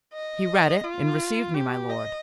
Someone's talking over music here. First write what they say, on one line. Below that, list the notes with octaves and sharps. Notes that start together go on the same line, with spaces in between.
"He read it, and received me, my lord."
D#5
F4
G4
D#5